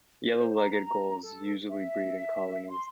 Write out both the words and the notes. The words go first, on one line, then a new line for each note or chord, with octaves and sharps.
Yellow-legged gulls usually breed in colonies.
C5
A#5
A4
E5
C6